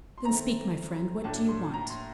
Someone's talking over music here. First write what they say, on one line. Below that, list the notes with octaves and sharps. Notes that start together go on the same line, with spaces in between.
"Then speak, my friend; what do you want?"
C6
D#3 A3 C4 A#5
A2 F#3 A#3 D4 A5
C6
A#5
C6